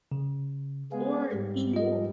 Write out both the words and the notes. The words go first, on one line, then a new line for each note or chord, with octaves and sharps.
or Teen Wolf.
C#3
G#3 B3 G#4 F5
G#2 G3
F4 D#5